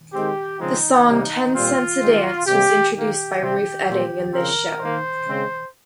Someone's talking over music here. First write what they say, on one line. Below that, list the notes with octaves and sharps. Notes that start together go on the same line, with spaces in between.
The song "Ten Cents a Dance" was introduced by Ruth Etting in this show.
D#3 G#3 C4 G4
C#3 F3 G#3 C4 D#4
C3 G3 A#3
A#2 G3 C4 F4
D#3 G#3 C4
C3 G3 A#3 G4
D#3 A#3 G4
C3 G3 C4
A#2 G3 C4
C#3 F3 C4 A#4
D#3 A#3 C5
C#3 G#3 C4